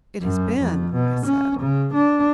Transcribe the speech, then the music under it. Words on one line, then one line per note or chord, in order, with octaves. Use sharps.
"It has been," I said.
F#2
F2
B2
C#4
C#3
D4